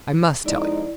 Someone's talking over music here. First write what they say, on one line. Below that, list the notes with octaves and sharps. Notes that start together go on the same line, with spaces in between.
I must tell you.
F2 G#3 D#4 E4 D5